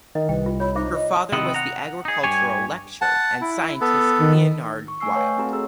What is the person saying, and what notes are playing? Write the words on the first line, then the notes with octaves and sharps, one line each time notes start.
Her father was the agricultural lecturer and scientist Leonard Wild.
D#3 D#5
C2 B4 G5
F4
F4 C#5 B5
D#4 C5 E5 D6
D#5
C3 D#3 C4 E4 D#5 F#5
F#5 A#5
D#4 G#4
G2 G4 C#5 G#5
F#5 A5
E4
B3 A4
D#3
C#6
A3 G#5 C#6 E6 C7
B4 C#5 F5 G5
A3 C4 F#4 A4 A#5
G#4 E6